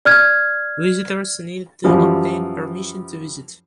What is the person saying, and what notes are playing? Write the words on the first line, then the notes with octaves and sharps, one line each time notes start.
Visitors need to obtain permission to visit.
D5 F6 G#6
F#2 E3 F3 G3